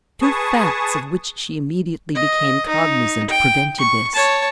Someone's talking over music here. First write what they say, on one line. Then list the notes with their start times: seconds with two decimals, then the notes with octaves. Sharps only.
Two facts of which she immediately became cognisant, prevented this.
0.21 G#4 B4 A5 C#6 D#6
2.15 D#5
2.68 D#4
3.30 G5
3.78 C#6
4.15 C#5 A5